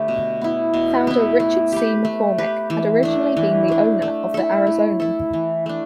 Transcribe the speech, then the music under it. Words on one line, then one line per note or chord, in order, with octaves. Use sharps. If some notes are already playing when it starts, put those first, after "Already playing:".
Founder Richard C. McCormick had originally been the owner of the "Arizonan".
Already playing: D3 A3 G4 B4
B2
B3 E4
B2
B3 E4
A3
G4 B4
A3
G4 B4
E3
A3 D4
E3
A3 D4
A3
E4 A4
A3
E4 A4
E3
A3 D4